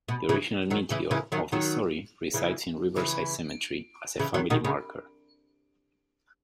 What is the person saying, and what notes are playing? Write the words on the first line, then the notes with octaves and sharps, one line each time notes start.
The original meteor of the story resides in Riverside Cemetery as a family marker.
B2
C#3 E3
D#3 F#3
C#3 E3
C#3 E3
D#3 F#3
D#3 F#3
C#3 E3
C#3 E3
C#3 E3
D#3 F#3
B2 D#3
C#3